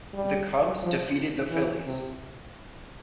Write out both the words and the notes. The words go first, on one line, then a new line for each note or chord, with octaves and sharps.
The Cubs defeated the Phillies.
G3
F3
E3
C3